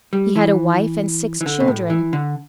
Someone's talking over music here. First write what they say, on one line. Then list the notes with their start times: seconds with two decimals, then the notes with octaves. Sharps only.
He had a wife and six children.
0.13 G3
0.36 E3
1.41 E3
1.46 D3
1.60 B2
1.68 A2
1.90 E3
2.13 D3